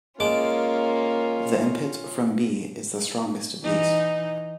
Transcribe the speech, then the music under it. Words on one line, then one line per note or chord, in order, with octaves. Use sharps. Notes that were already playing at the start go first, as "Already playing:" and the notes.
The input from B is the strongest of these.
G#3 A#3 C#4 F4 A5 D6
E3 D#4